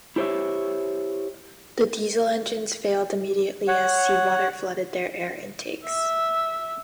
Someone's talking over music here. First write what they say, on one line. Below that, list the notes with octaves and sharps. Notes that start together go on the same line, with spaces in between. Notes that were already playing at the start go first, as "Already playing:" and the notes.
The diesel engines failed immediately as seawater flooded their air intakes.
E4 G4 C5 C#5 E5
C#5 F#5
E5